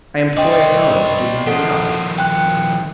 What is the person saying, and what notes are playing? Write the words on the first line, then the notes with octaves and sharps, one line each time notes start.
I employ a fellow to do nothing else.
C5 D5 D#5 G5
D#3 F3 A4 F#5
G5 F#6